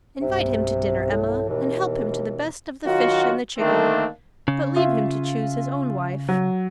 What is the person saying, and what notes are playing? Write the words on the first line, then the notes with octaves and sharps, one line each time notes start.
Invite him to dinner, Emma, and help him to the best of the fish and the chicken, but leave him to chuse his own wife.
B1 G2 C3
A2
D#2 B2 E3
D#3 F#3 F4 F#4
D3 D#3 A3 A#3 C4 D4
C#3
F4 E5
F#3